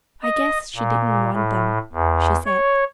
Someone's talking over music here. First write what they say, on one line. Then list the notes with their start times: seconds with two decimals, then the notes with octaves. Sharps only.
"I guess she didn't want them," she said.
0.23 D#5
0.76 A#2
1.33 A2
1.93 E2
2.46 C#5